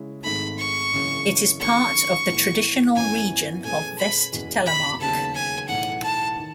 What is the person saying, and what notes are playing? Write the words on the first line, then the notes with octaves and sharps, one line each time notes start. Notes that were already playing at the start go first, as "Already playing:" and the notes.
It is part of the traditional region of Vest-Telemark.
Already playing: C#3 G#3 C#4 E4
G#1 G#2 D#3 A3 B5
C#6
F#1 F#2 C#3 E3
D#3 F#3 A3 C#4 C#6
A2 E3 B3
F#2 E3 B3 E4 G#5
B2 A3 C#4 G#4 B4 G#5
B5
F#1 E2 B2
B5
E1 D#2 C#3 F#3 B3 A5
G#5
B1 A2 E3 F#5
A5
D#3